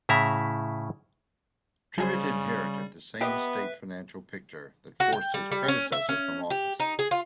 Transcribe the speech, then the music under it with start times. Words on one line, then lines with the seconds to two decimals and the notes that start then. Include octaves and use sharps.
Tribbitt inherited the same state financial picture that forced his predecessor from office.
0.09 A2 C#3 E4 E5 A#5
1.98 C#3 G3 G#3 G#4 C5
3.21 B3 G4 B4 D#5 E5
5.00 F#4
5.12 G5
5.34 G3
5.51 G3
5.68 C#4
5.92 E5
6.09 C#4
6.50 G4
6.80 D#4
6.99 G#4
7.11 F4